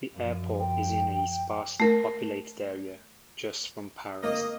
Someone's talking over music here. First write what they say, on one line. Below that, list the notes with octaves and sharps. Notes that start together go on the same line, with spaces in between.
The airport is in a sparsely populated area just from Paris.
F#2 F3
G5
A3 A#4
A#3 D#5